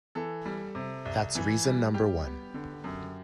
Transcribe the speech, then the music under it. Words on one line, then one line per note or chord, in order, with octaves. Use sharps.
That's reason number one.
E3 A4
G3
C3
C2
E3
G3
G3 G4
B3
D3
F#2